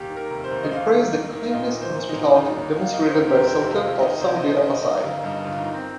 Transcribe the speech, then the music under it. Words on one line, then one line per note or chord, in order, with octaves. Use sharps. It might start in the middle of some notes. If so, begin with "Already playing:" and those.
He praised the kindness and hospitality demonstrated by the sultan of Samudera Pasai.
Already playing: D#2 G4
D#3
A#4
F1
C5
D#2
D#5
D#2 F5
D#3
D#3
D#3
F5
A#2 D#5
A#1
C5
A#2
D#4
A#2
D#2 D#4
D#2
D#2 F5
D#5
D#2
C5
F2 A#4
G4
F1 A#4
C5
C3
F5
F2
D#3 D#5
C2 C5
D#5
D#3 C5
D#3 D#5
D#3 D#5
G1 F5
G2 D#5
G1 F4
D#4
D#3
C4